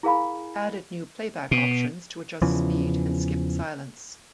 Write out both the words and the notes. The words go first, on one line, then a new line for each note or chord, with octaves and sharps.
Added new playback options to adjust speed and skip silence.
E4 G#4 A#4 F5 G#5 B5
B2
E2 C#3 E3 F3